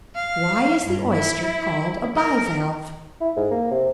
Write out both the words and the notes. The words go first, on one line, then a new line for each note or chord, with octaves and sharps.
Why is the Oyster called a bi-valve?
F5
G2
E4
A#4
E4
G#2
A#3
C3